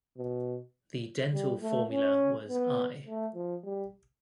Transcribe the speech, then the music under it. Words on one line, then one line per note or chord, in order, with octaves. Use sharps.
The dental formula was i.
B2
G3
A3
C#4
B3
A3
F3
G3